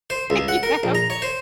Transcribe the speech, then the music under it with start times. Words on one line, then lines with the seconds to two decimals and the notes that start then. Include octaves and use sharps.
You know?
0.10 C5
0.30 C#2
0.48 F#5
0.63 A#4
0.83 A#1
0.95 A#5
1.10 C#5
1.22 C5